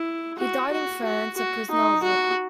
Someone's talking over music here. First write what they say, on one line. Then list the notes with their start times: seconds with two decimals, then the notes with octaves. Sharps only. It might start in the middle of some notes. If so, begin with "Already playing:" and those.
He died in France, a prisoner of war.
Already playing: E4
0.39 F#4
0.72 F#4
1.04 F#4
1.37 F#4
1.70 D#4
2.03 F#4